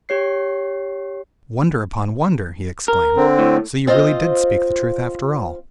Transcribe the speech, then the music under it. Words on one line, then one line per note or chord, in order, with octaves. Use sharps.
'Wonder upon wonder,' he exclaimed, 'so you really did speak the truth after all!
G4 C#5 C7
A#4
D3 C4
A2
C4 F4 C5 D#5 F5